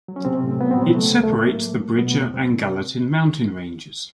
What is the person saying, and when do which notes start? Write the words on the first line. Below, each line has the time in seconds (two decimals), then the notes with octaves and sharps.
It separates the Bridger and Gallatin mountain ranges.
0.08 F#3
0.16 C#4
0.25 C3 F#3 C4
0.43 A2
0.60 F#3 B3
0.71 C4
0.77 B2 F#3 B3
0.95 C#3 A3
1.12 C#2
1.23 A3
1.29 A2 A#3
1.47 F#3
1.64 A3
1.81 F#3
1.99 B2 A3 B3
2.17 E2
2.33 C3 F#3 C4